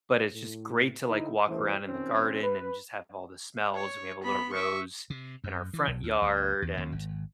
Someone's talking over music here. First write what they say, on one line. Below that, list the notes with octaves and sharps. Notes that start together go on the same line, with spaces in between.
but it's just great to like walk around in the garden and just have all the smells, and we have a little rose in our front yard and
A2
D3 D#4 E4
A1 E2 G2 E3 A3 C5
B2 D#3 C4 C#4
B4
C#5
B3 B5
E5 C#6
C3
F#2
E3
B1
D2
D2
E2
D#2
G#1